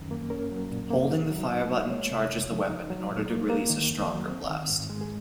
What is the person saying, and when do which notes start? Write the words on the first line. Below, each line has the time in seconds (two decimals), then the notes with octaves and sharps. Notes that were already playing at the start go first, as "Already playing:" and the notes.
Holding the fire button charges the weapon in order to release a stronger blast.
Already playing: F#2 D#3 F#3 C#4
0.11 A#3
0.30 C#4 A#4
0.51 F#3
0.71 A#2
0.91 A#3
1.10 D#4
1.30 F#3
1.51 A#2
1.70 A#3
1.90 G#3 C#5
2.11 C3
2.30 F2
2.50 F3
2.70 D#4
2.90 F#3
3.10 A#2
3.30 A#3
3.50 A#3
3.70 D#3
3.89 F2
4.10 F#3
4.30 C4
4.50 D#3
4.69 G#2
4.90 G#3
5.01 G#4